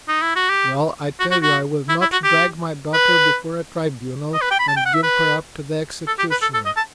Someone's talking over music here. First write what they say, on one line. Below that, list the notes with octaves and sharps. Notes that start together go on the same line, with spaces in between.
Well, I tell you I will not drag my daughter before a tribunal, and give her up to the executioner!
D#4
E4
F#4
G4
F#4
F#4
F#4
E4
E4
F#4
G4
B4
D#5
B4
G5
B5
A5
G5
F#5
E5
B4
A4
G4
B4
A4
A4
D#5
A5